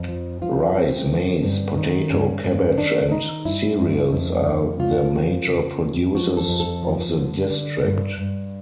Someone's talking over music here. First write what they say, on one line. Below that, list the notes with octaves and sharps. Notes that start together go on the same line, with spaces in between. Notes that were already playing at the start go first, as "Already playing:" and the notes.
Rice, Maize, Potato, Cabbage and cereals are the major produces of the district.
Already playing: F2
F3
F3 F4
F3 C4
D3
G2
D#3
G2 C#4
G2 C#4
D#3 D4
D#3 D#4
G2 E4
G2
F2
F2
C#3 F4
F3
C#3
F2
F3 F#4
A4
F2
A4
F3
D3
D3
G2
G2